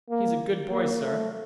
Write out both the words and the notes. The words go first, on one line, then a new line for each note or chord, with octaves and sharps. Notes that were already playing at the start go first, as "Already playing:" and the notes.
"He's a good boy, sir."
A#3
A#3
A3